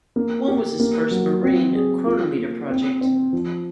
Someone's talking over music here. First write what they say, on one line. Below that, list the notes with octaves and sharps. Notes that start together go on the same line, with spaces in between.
One was his first marine chronometer project.
A#3
G4
A#3
F#3
C4
G#4
F4
A#3
C4
C4
F3